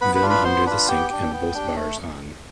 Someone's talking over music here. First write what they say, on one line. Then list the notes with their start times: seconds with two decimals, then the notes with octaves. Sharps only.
Vim under the sink and both bars on.
0.01 B3 B4 B5
0.15 B4 B5
0.22 D4 F4
0.30 B4 B5
0.44 B3 C5 C6
0.66 D4 F4 B4 B5
0.88 B3 G4 G5
1.10 D4 G4
1.32 B3
1.54 D4 G4
1.76 A3